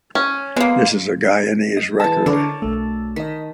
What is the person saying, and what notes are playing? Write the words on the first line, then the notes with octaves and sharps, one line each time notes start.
This is the Guyanese record.
C#4
G#3 A#3 B3
D#5
E3 G#3 A5
D3 D4 A#4 C#5
B1 A3
D#3 D#5 B6